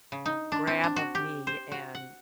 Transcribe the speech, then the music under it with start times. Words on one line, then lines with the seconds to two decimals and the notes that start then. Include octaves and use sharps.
grab of me and
0.12 C#3
0.26 D#4
0.52 D4
0.67 C4
0.84 D4
0.96 F#4
1.15 G4
1.47 C5
1.72 F#4
1.95 F#5